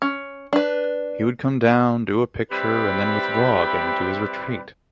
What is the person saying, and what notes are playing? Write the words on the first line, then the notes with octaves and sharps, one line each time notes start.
He would come down, do a picture, and then withdraw again to his retreat.
C#4
D4 B4
G3 C4 E4 G4 B4